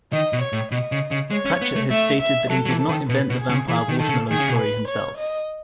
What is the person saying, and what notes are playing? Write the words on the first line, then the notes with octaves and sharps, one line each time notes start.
Pratchett has stated that he did not invent the vampire watermelon story himself.
D#3 D#5
B2
C#5
A2
B2 D#5
C#3
C#3
G#3 C#5
C#4
B3
A3
A3 E5
E5
F#3 A4
F#3
E3
A4
D#3
B2 B4
B2
G#4
C#3
E3 G#4
D#3
D#3 A4
C#3
D#3 G#4
C#3
B2
B4
C#5
D#5